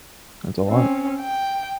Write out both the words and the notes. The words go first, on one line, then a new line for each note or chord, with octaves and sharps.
That's a lot.
C4 C#4
G5